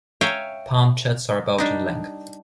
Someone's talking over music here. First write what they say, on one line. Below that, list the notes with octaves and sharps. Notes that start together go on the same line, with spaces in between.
Palmchats are about in length.
C#5 E5 F5 G5 G#5 A#5
G3 D4 D#4